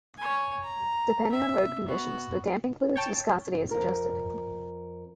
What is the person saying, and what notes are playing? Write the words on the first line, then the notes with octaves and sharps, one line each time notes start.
Depending on road conditions, the damping fluid's viscosity is adjusted.
C#5 G#5
A#5
E5
B3 F#4
C#5 G5 A5
F2 A#4